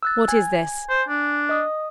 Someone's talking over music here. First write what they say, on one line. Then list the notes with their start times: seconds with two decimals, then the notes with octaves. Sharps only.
What is this?'
0.03 E6 F#6 A6
0.28 G#5 G#6
0.89 C5
1.09 D4
1.49 D#5 D#6